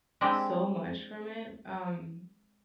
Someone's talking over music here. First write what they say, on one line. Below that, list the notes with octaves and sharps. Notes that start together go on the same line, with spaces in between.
so much from it, um,
G#3 C4 D4 E4 G4